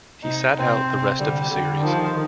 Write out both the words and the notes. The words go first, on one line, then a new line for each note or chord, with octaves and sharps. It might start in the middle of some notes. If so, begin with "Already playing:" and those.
He sat out the rest of the series.
C3 D#4
C3 C4
C3
D3 G3
D3 G3
D#3 F3